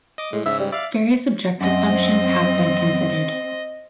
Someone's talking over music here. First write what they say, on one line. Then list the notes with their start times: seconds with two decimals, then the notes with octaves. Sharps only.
Various objective functions have been considered.
0.18 D#5 D6
0.33 A2 G#3
0.46 G#2 C#3 E5
0.60 G3
0.73 D5 E5 F5
1.61 F#2 C4 D#5